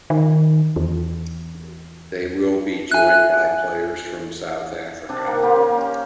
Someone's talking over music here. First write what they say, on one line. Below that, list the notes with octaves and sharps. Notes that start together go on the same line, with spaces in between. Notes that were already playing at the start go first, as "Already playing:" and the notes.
They will be joined by players from South Africa.
D#3
E2
E5 G#5 F#6
C3 D4 A5
D#3 A#3
A#3 G4 C5 F5
C#4